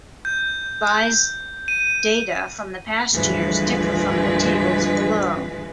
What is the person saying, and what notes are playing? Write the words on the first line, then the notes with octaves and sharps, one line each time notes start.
Revised data for the past years differ from the tables below.
G6
D#7
D2 G2 E3 F3 G#3 B4